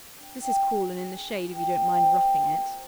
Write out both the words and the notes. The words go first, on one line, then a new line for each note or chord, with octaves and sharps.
This is cool and in the shade, if you don't mind roughing it.'
D4
G4
D4
D4
G#4
G#4
F4
G3
C4
G3
G3
A#3
F4
C5